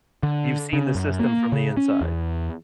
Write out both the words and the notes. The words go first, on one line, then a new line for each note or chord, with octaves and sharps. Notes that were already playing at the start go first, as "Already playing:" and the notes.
You've seen the system from the inside.
D3
C#3
F#2
A#3
C#3
C#4
E2